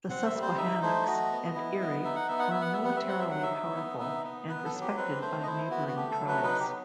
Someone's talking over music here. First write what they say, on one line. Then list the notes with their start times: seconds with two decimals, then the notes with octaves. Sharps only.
The Susquehannocks and Erie were militarily powerful and respected by neighboring tribes.
0.09 C4 F#5
0.25 E5
0.34 G3
0.42 C5
0.57 D#4 E5
0.82 A3 C5
1.07 F#4 D#5
1.32 B3
1.55 E4
1.81 B3
2.04 D#4 E5
2.16 F#5
2.28 B3 E5
2.39 F#5
2.50 B3 E5
2.62 F#5
2.73 E5
2.78 G3
2.84 F#5
2.96 E5
3.02 C4
3.08 F#5
3.20 E5
3.26 F#3 F#5
3.43 E5
3.51 D#4
3.75 B3
4.00 D#4 E5
4.24 B3
4.49 B3 B4
4.65 A4
4.73 F#3
4.81 G4
4.97 C4 B4
5.22 A3 C5
5.43 D#5
5.47 E4 C5
5.70 B3 F#4
5.88 F#4
5.96 A3 G4
6.11 A4
6.19 F#3
6.28 B4
6.43 D#4 B4
6.60 G4
6.68 B3